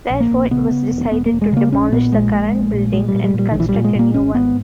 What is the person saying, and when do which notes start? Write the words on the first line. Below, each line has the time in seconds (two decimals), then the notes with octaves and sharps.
Therefore, it was decided to demolish the current building and construct a new one.
0.10 A#1
0.20 A#3
0.31 A#1
0.51 C#3 B3
0.71 C#3
0.91 E1
1.11 E1 B3
1.26 A#3
1.32 E1
1.42 G#3
1.52 C#3 A#3
1.72 A#1 C#4
1.92 A#2 B3
2.12 A#1 G#3
2.33 A#2
2.53 A#1
2.74 A#2
2.93 A#2 G#3
3.08 G3
3.14 A#2
3.24 G3
3.34 A#2 G3
3.51 A#1 D#3
3.60 E3
3.69 G3
3.74 A#2
3.84 G#3
3.95 A#2 A#3
4.14 G#1 C#4
4.35 G#2 B3